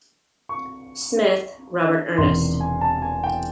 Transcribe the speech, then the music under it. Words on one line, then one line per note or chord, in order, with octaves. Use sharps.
Smith, Robert Ernest.
C#6
E1 E2 C3 D#3 C6
G#5
A5
G#5
G5